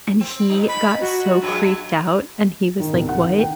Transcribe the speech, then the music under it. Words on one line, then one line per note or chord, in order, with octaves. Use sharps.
And he got so creeped out, and he was like, "What?
C4
F2 D#4
B5
F#4
G2 F#3 G#3
D#3
C2
F#5
D#3
G5